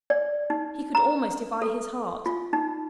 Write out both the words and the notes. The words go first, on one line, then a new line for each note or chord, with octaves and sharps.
He could almost defy his heart.
D5
D#4
A#5
A4
F4
D#4